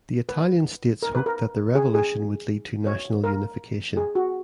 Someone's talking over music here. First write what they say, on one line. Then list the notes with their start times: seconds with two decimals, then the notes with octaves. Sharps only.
The Italian states hoped that the revolution would lead to national unification.
0.29 B4
1.02 A#4
1.15 B4
1.26 A#4
1.75 G#4
1.95 G#4
2.87 C#5
3.24 A#4
3.97 G#4
4.15 F#4